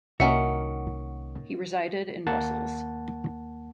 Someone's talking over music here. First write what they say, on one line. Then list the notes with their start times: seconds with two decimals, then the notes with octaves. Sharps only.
He resided in Brussels.
0.20 C2 D#3 A#3 C#4 F#4 E5 F#5 C#7
2.27 D#2 A#3 F#5 A5